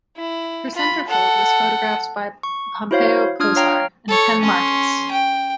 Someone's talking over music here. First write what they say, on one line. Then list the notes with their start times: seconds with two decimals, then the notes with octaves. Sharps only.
Her centerfold was photographed by Pompeo Posar and Ken Marcus.
0.16 E4
0.75 F4 B5
1.07 A4 F#5
2.43 C#6
2.91 E4 F#4 C5 C#5 F5
3.40 D4 F4 D#6 F6 G#6
3.56 C#5 F5 G5 A#5 F6
4.08 A4 C#5
4.41 C#4 C6
5.11 G5